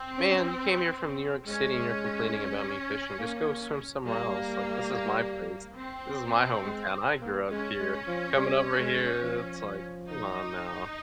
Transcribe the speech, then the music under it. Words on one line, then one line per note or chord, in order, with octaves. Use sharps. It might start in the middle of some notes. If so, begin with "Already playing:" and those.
"Man, you came here from New York City and you're complaining about me fishing, just go swim somewhere else, like, this is my place, this is my hometown, I grew up here, coming over here, it's like, come on now."
Already playing: C4
C#4
G#3 C#4
A#3
G3 A#3
C4
G#3
A#3
G#3 C#4
G#3
F3
G3
G#3
F3
D#4